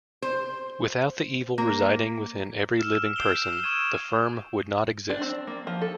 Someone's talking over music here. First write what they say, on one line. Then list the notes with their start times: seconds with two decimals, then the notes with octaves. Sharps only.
Without the evil residing within every living person, the firm would not exist.
0.22 C5
1.58 A#3
2.78 E6 F6 E7
3.16 G6 C7 D7 E7 F7 G7
3.63 C#6 D#6 E6 G#6 D#7 E7
5.10 D4
5.22 C4
5.47 A#3
5.67 F3
5.82 A4